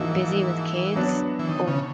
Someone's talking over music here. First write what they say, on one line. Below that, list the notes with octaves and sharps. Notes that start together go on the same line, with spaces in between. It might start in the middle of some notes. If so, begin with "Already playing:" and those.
busy with kids or
Already playing: G#2 E3 F3 A#3 D#4 F#4
F#3 B3 D4 F#4
E3
D#3
C#3